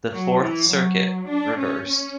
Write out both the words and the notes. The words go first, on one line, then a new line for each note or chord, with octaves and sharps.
The Fourth Circuit reversed.
F#3
E3
F#3
D4
C#4
C#4